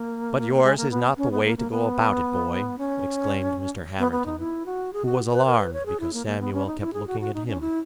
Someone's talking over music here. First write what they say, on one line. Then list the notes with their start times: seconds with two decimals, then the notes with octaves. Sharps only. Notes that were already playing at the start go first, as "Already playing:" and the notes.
"But yours is not the way to go about it, boy!" exclaimed Mr. Hamerton--who was alarmed because Samuel kept looking at him.
Already playing: A#3
0.64 G#3
0.77 A#3
0.91 B3
1.17 C#4
1.31 B3
1.44 A#3
1.58 A#3
1.71 B3
2.78 C#4
3.99 B3
4.12 B3
4.26 D#4
4.39 E4
4.66 F#4
4.93 G#4
5.06 F#4
5.32 B4
5.46 A#4
5.59 B4
5.73 C#5
5.86 G#4
6.00 E4
6.13 A#3
6.27 A#3
6.40 B3
6.53 C#4
6.67 D#4
6.80 E4
6.93 G#4
7.07 F#4
7.21 F#4
7.34 D#4
7.47 C#4
7.61 E4